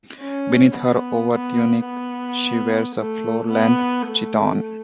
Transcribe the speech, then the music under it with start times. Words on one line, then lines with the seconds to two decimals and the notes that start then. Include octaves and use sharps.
Beneath her overtunic she wears a floor-length "chiton".
0.21 C#4
0.75 B3
1.31 B3
1.85 B3
2.96 A3
3.51 B3
4.07 A3